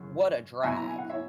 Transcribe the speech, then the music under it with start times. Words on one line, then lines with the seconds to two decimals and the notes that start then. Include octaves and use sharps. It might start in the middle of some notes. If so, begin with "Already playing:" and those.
what a drag.
Already playing: F#2 C#3 F#3
0.63 B2 F#3 B3 E5 G#5
0.76 A#5
0.87 G#5
0.98 F#5
1.10 C#5 E5